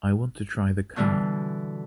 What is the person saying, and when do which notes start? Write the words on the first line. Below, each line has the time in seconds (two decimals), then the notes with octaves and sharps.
I want to try the car.
0.96 B2 D3 E3 G3